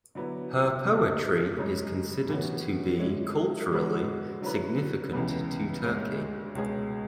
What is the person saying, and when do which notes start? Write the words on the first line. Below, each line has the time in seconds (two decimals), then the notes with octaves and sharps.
Her poetry is considered to be culturally significant to Turkey.
0.15 D3 F#3 B3 E4
0.87 E2 D3 A3
1.57 F#2 C#3 G#3 C#4
2.28 A2 E3 B3 F#4 C#5
3.00 D3 G#3 C#4 E4
3.71 D3 G#3 C#4 F#4 B4
4.42 D3 F#3 C#4 E4 B4
5.13 C#2 C#3 E3 B3
5.84 D2 D3 G#3 C#4
6.55 C#2 B2 G#3 C#4 G#4